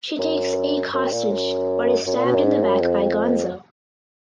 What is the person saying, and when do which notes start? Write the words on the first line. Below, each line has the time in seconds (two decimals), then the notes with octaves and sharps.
She takes Ake hostage but is stabbed in the back by Gonzo.
0.19 F#2
0.94 F#2
1.12 A#2
1.31 F#2
2.07 F#2
2.16 A#2
2.25 B2
2.35 F#2
2.44 G#2
2.63 F#2
2.81 F2